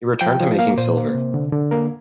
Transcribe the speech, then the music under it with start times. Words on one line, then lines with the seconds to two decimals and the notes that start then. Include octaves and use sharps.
He returned to making silver.
0.21 F3 G5
0.41 F3
0.59 A#3 F5
0.78 A#2 C5
0.97 A#3
1.15 C3
1.34 D3
1.52 D3
1.71 A#3 A#4